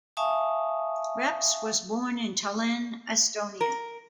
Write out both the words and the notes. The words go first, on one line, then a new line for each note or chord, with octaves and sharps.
Reps was born in Tallinn, Estonia.
E5 F5 G#5 A5 C#6 D#6
A#4